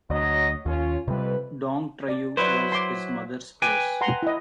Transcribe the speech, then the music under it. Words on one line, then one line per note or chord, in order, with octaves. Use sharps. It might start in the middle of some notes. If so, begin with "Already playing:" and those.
Dong Trieu was his mother's place.
D2 F#3 C#5 D#5
D#2 C#4 F4
F2 C3 G3 B4
D5
F#3 E4 B4 C5 D5
C6 D6
B4 G5 G#5 D6
F#5 A#5 C6
E4 D#5